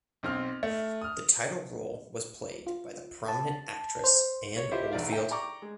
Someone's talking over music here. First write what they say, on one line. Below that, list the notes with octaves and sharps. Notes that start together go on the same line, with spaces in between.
The title role was played by the prominent actress Anne Oldfield.
B1 C4 F6
A3
D#6 F6
F4
A5
C5
C#5
E4 F4 G4 C5 D#5 E5
B1 E2 D5 F5
E5 G5
D5 G5 A#5 C#6 D6
G#3